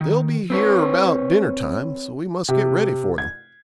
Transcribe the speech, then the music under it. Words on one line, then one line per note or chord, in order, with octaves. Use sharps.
They'll be here about dinner-time, so we must get ready for them.'
D#3
C4 B4 C#5
C3
G#6